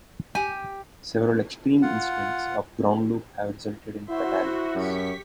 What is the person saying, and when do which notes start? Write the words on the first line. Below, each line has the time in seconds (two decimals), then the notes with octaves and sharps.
Several extreme incidents of ground loop have resulted in fatalities.
0.35 G4 G#5
1.82 F4 F#5
4.09 E4 F#4 C5 E5
4.75 F#2 G4 C#6 B6